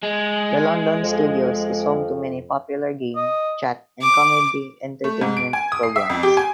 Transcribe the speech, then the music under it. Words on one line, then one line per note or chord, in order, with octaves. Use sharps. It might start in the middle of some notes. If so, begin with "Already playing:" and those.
The London Studios is home to many popular game, chat and comedy entertainment programmes.
G#3
F2
D#5
D6
A3
G#2
D7
G#5
D#6
C7
E5
F2
G4
G#5